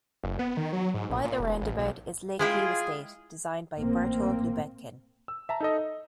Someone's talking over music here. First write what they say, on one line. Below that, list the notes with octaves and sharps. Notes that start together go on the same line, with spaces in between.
By the roundabout is Lakeview Estate, designed by Berthold Lubetkin.
F#1
B3
D#3
F#3
G#2
A#1
A#2
E1
A1
B1
G#3 E4 F4 G#4 G5
A1 A#2 A#3 C4
E6
E5 A5 A#5
D#4 A4 D#5
D#5